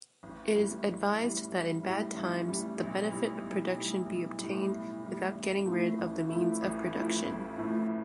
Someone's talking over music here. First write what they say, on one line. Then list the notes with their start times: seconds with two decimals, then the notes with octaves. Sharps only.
It is advised that in bad times the benefit of production be obtained without getting rid of the means of production.
0.23 A1
0.55 A2 G3
0.87 A1
1.19 A2 G3
1.51 A1
1.83 A2 G3
2.15 A1
2.47 A2 G3
2.79 B1
3.11 A2 G3
3.42 B1
3.74 A2 G3
4.06 B1
4.39 A2 G3
4.70 B1
5.03 A2 G3
5.34 A1
5.65 A2 F3 A3 E4
5.98 A1
6.30 A2 F3 A3 E4
6.62 A1
6.93 A2 F3 A3 E4
7.26 A1
7.58 A2 F3 A3 E4